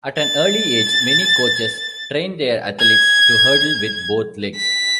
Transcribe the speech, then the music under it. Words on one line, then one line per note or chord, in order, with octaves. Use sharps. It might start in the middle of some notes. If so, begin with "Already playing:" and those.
At an early age, many coaches train their athletes to hurdle with both legs.
A6
G#6
B6